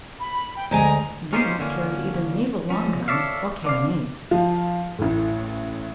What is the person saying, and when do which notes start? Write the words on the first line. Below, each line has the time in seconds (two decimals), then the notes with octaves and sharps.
These carried either naval long guns or carronades.
0.20 B5
0.56 G5
0.71 D2 G#3 G#5 A#5
1.33 C#4 D#4 F4 G4 G#4 C5
1.59 D3 E3 A#3 C#4
2.70 D3 F3 C#4
3.08 A4 C#5 D5 E5 F5
3.64 D3 D5 F5
4.31 F3 F4
4.99 A1 A2